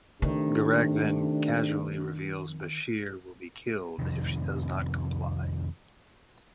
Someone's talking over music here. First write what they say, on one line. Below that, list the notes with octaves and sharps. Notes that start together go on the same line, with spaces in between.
Garak then casually reveals Bashir will be killed if she does not comply.
C3 D#3 A3 D4
F2 C3 D#3